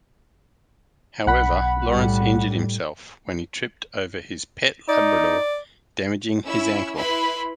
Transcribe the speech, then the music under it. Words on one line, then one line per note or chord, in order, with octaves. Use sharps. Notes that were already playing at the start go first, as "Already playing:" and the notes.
However Lawrence injured himself when he tripped over his pet Labrador damaging his ankle.
B1 F#5 B5
A2 G3
D#4 D5
C#4 E4 E6
E4 B4 B5 C6